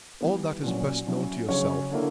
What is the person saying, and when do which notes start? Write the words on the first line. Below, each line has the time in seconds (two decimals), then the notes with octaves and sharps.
All that is best known to yourself.
0.21 E3 G3 B3
0.63 A#2 F#3 C#4
1.07 F#3 C#4 E4
1.48 C#3 F#3 C#4 C#5
1.92 D3 A#3 E4